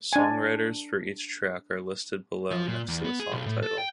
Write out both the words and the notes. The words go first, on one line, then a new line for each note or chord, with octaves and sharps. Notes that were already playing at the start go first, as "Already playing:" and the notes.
Songwriters for each track are listed below next to the song title.
D4 G#5
F3
A#2
E2
B3
G#4
B1
A2
A4
G5